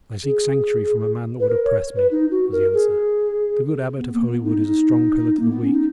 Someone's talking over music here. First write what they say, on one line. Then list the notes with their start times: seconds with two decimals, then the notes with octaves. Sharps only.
"I seek sanctuary from a man that would oppress me," was the answer. "The good Abbot of Holywood is a strong pillar to the weak."
0.24 G#4
1.40 B4
1.49 A#4
1.65 C#5
1.96 B4
2.11 D#4
2.31 F#4
2.52 A#4
2.74 G#4
3.98 B3
4.13 A#3
4.29 B3
4.44 D#4
4.59 D#4
5.40 A#3
5.51 B3
5.63 C#4
5.73 D#4